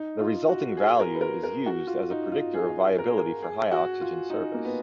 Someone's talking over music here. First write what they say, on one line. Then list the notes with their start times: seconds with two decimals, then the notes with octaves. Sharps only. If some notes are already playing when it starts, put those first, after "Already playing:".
The resulting value is used as a predictor of viability for high-oxygen service.
Already playing: D#4
0.19 F4
0.49 F#4
0.77 G#4
1.00 A#4
1.15 B4
1.21 A#4
1.43 A#4
1.66 F#4
1.87 F4
2.10 D#4
2.32 F4
2.54 G#4
2.98 A#4
3.08 G#4
3.18 A#4
3.42 G#4
3.71 F#4
4.01 F4
4.30 D#4
4.54 A#3
4.65 B3